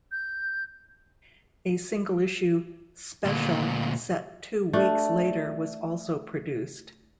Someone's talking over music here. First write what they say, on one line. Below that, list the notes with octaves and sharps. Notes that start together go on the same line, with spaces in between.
A single issue 'Special' set 'Two weeks' later was also produced.
G6
D2 A#2
A3 D4